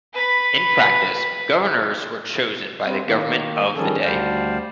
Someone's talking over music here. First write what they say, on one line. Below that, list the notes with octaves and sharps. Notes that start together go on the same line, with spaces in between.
In practice, governors were chosen by the government of the day.
B4 B5
G3 C4
D#3 A#3
D#3 F3 G3 C#4 G#4 A4
D2 G3 C5 D5 F5